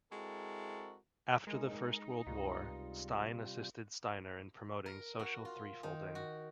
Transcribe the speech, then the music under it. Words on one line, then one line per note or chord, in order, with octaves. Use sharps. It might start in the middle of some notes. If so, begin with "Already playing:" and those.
After the First World War, Stein assisted Steiner in promoting Social Threefolding.
G#3 C4 E4 F#4 A4 A#4
G#3 D#4 G#4 A#4
C#2 C3 G3 F4
A#4
F#4
F4
D#3
F#4